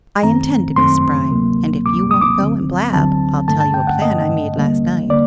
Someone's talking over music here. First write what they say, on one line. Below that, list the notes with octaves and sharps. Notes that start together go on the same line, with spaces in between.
"I intend to be spry, and if you won't go and blab, I'll tell you a plan I made last night."
F#2 D#3 A3 C4 A#5
F#2 D#3 A3 C4 C6
D2 C3 F#3 A#3
D2 C3 F#3 A#3 D6
D#6
D6
D2 D3 F#3 C4
D2 D3 F#3 C4 A5
G2 D3 A3 A5
A5
G5
F#5
G2 D3 A3 D#5
D#2 D3 G3 A#3
D3 A#3 D5